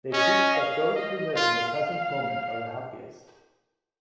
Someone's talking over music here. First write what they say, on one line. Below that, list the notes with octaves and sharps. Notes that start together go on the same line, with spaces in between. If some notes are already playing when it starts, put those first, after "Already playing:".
They teach that those who live in the present moment are the happiest.
C#4 D#5
F5
D#5
F4 F5